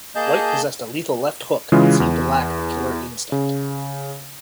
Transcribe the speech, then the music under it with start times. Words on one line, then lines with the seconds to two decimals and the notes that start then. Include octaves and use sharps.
White possessed a lethal left hook, but seemed to lack the killer instinct.
0.16 A#3 G#4 D#5 A5 G6
1.72 C#3 E3 G#3 F4
2.00 E2
3.32 C#3